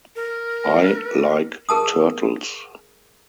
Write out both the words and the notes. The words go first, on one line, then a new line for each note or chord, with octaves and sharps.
I like turtles.
A#4
G#4 A#4 A5 D#6